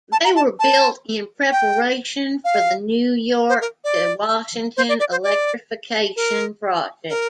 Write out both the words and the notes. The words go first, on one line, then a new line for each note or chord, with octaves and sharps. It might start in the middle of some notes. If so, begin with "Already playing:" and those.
They were built in preparation for the New York to Washington Electrification project.
A5
A#5
A5
A5
G5
F5
C5
A#4
D5
C5
D5
D5
C5
D5
A#4
A#4